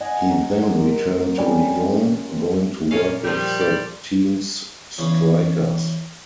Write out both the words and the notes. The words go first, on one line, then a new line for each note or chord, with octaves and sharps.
He then returned to Lyon, going on work with the team's strikers.
D#5 F#5 G#5 C#6
F#3
A#3 A5 C6
G3 C#4
F4
A#2 C#4 F5
F3 G3 G4
D5
E2 C#3 E3 C#4